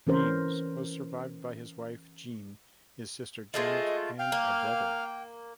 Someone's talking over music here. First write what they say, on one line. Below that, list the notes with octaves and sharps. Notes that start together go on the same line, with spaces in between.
Reems was survived by his wife, Jeanne, his sister Janet, and a brother.
E3 C#4 A#4 C5
G#3 A3 F4 D#5
F5 G5
A#3